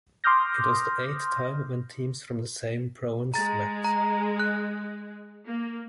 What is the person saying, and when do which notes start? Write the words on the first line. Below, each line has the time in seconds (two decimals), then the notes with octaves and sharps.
It was the eighth time when teams from the same province met.
0.24 C6 D6 D#6 F6 G6 A#6
3.34 G#3 A#5 A6
3.85 A#5
4.39 F#6
5.45 A#3